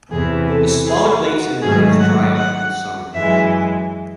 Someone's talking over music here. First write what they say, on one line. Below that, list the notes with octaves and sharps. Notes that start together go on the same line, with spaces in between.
The smaller lakes and rivers dry up in the summer.
E2 C3 E3 G#4
A4
G#4
F#4
G#2 D#3 F#3 A3 G#4
F#5
F#5
F#2 E3 G#3 E5